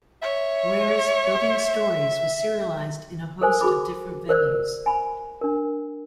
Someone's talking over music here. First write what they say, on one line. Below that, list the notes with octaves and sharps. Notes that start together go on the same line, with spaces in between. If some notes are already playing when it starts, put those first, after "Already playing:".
Ware's "Building Stories" was serialized in a host of different venues.
C#5 E5
A4 A#4 C5 G#5
F#4 G#4 B5 D6
A#4 C5 D5 E6
G#5 B5
D4 A#4